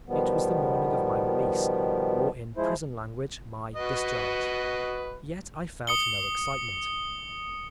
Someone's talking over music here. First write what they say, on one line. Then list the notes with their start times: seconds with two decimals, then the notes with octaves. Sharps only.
It was the morning of my release, or in prison language my "discharge." Yet I felt no excitement.
0.09 B2 D#3 F3 G3 B3
2.57 F3 G#3 E4 C5
3.76 F#4 B4 D#5
5.87 D#6 C#7 G7